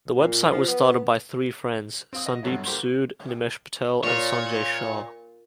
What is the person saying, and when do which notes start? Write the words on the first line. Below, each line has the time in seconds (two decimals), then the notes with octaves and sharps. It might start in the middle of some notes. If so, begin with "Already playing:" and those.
The website was started by three friends, Sandeep Sood, Nimesh Patel and Sanjay Shah.
0.17 A#2
0.51 F3
0.68 B3
2.13 C4 F5 D#6
2.26 F#4 D#5
2.43 G2 B2 D3 F#3 C#4 E4
2.65 D3 A#3 G4 C5 C6 C#6
4.04 A#2 C#5